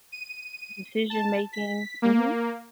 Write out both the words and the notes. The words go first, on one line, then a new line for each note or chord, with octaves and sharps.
Decision making, mhm.
D#7
A5
B6
A#3